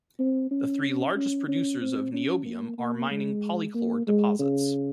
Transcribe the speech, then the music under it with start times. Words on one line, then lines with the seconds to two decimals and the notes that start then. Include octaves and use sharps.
The three largest producers of niobium ore are mining pyrochlore deposits.
0.19 C4
0.51 C#4
1.16 C#4
1.48 C#4
1.81 C4
2.13 C#4
2.45 A#3
2.78 A#3
3.10 G#3
3.74 A#3
4.07 G#3
4.39 C#3